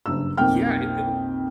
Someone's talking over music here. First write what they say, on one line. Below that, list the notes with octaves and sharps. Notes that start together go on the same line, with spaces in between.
Yeah. It it was
F#1 G2 E6
B1 F2 A#3 G5 F6